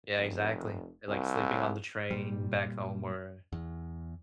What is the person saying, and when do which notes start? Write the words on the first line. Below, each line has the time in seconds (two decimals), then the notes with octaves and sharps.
Yeah, exactly, it like sleeping on the train back home or
0.16 F1
1.08 C2
2.11 A#2 G3
3.53 E2